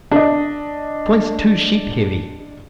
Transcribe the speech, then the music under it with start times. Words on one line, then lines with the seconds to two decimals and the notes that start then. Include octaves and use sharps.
Twice two sheep heavy.
0.11 D4 D#5